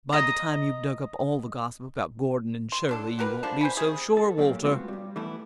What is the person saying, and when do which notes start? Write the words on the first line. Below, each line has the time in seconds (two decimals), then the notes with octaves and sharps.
"By the time you've dug up all the gossip about Gordon and Shirley you won't be so sure, Walter."
0.13 D#5 A#5
2.72 C6
2.89 F#3 D4 A4
3.19 F#4 G4 A#4 B4
3.43 D3 F3 D4 A5
3.61 C5 G#5 B5
3.77 C3 G3 G#4
4.17 A4
4.37 A#2 F#3 A#3 G4
4.64 G#3 B3 C4 F4 F#4
4.88 G2 G3
5.16 E3 G3 A3 B3 E4